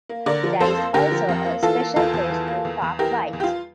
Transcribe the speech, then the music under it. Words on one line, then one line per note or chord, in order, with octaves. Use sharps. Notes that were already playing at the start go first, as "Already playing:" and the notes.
There is also a special place to park bikes.
A#3
D3 A#4 D5
F3
F2 A4 C5
A#3
D3 G4 A#4
F3
F2
A#3
E3 F4 A4
A#3
E2 F4 A4
E2
E3
A#3
E2
E2
E3 G4 A#4
A#3
E2
G4
F4